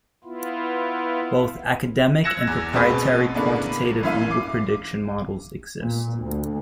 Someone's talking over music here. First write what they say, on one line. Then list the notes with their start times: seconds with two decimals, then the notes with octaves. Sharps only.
Both academic and proprietary quantitative legal prediction models exist.
0.24 B3 E4 F4
2.24 E6 F#6 G#6 A#6 C#7 E7
2.47 E2
2.73 A1 B2 G#3 C4 B4
3.34 A2 C#3 A#3 B3 D4
4.03 G#1 F#2 E3 E5 F5 D#7
4.31 D6 C7
5.80 A#2
6.19 D2